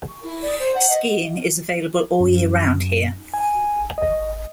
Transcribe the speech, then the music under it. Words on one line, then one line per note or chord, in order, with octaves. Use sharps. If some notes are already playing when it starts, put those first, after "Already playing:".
Skiing is available all year round here.
E4
D5
C5
F#5
D#5
F#2
G#5
D#5